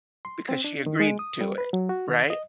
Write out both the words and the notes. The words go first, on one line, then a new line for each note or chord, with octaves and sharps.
because she agreed to it, right?
C6
C4
D4
D#3
G#3
D#6
G3
B4
F#3
F#4
D#3
D#5